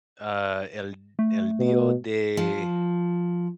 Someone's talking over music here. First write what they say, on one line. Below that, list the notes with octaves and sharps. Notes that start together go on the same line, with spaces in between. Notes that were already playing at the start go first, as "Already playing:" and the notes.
Uh, el el dios de
A3
B2
F3